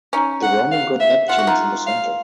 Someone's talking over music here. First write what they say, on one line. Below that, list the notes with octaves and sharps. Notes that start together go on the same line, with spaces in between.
The Roman god Neptune is in the center.
C#4 D#4
F#5
F5
E5
F4 F#5
F#4
D#4 F4
F5